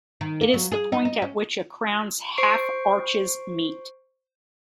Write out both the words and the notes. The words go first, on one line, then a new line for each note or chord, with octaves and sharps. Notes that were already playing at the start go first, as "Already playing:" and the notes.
It is the point at which a crown's half arches meet.
D#3
A#3
F#3
G#4
D#4
D#4
C#4
C5 C#6 C7 D7